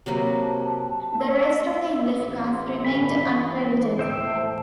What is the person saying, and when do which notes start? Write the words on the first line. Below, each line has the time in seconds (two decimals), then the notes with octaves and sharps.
The rest of the English cast remained uncredited.
0.06 C3 F#3 A#3 B4
2.20 A1
2.85 G1 B5
3.18 E3
3.99 A2 C5 E5 G5